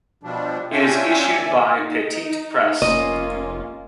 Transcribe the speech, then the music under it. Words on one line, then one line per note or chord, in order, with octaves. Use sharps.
It is issued by Petit Press.
B2 F3 G3 D4
C#4 D4 F4 E5 G5 G#5
D#2 D5 E5 G#5
D#4
F1 A#3 C#4 F4 D#5